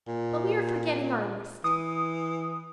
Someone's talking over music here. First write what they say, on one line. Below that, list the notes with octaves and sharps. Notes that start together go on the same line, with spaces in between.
But we are forgetting our list.
A#2
E3 D#6